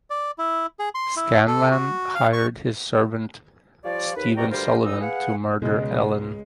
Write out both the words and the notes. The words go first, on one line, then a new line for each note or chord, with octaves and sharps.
Scanlan hired his servant Stephen Sullivan to murder Ellen.
D5
E4
G#4
C6
E4
A4
F#4
F5
C#6
F3 G3 F4 C#5 D5
D#2 B4
C2 B2 D5 G5 A#5 C#6
D2 G2 G3 F4 A#4 C5
A2 E3 G3 D#4 D#6 E6
G#4 B4 F5 F#5
C#2 B2 G#3